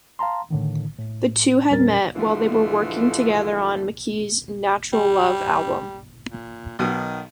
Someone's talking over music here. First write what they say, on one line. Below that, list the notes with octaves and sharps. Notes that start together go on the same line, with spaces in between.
The two had met while they were working together on McKee's "Natural Love" album.
F5 A5 A#5 C6
A2 D3 D#3
A2
E2 A#2 G3 C#4 A#4 A6
G2 D3 E3 F3 G#3 A3
G3
A#2
B1 B2 D#3